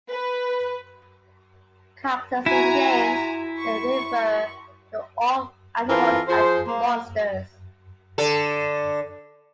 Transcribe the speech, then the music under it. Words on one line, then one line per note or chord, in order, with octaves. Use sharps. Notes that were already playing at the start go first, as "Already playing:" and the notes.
Characters in games may refer to all animals as "monsters".
B4
E4 F#4 G#5 A#5
C#6
E3 C4 F4 A4 A#4
F3 G#4 C5
A#3
D3 A4